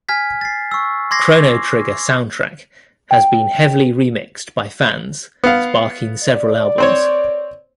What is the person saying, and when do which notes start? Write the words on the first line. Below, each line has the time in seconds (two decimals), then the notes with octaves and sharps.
"Chrono Trigger" soundtrack has been heavily remixed by fans, sparking several albums.
0.09 G#5 F6 G#6 B6
0.41 A6 C7
0.71 C#6 E6
1.11 C6 D6 G#6 A#6 C7
3.11 G5
5.44 B3 F5
6.24 D5
6.78 C4 C5 C#5